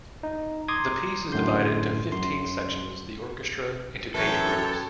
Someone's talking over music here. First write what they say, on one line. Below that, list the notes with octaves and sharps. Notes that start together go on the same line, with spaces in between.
The piece is divided into fifteen sections, the orchestra into eight groups.
D#4
A#5 C6 D6 D#6 G#6
F#2 A2 D3 C6 G6
F#2 C6
F#2 E3 A4 C#5 G5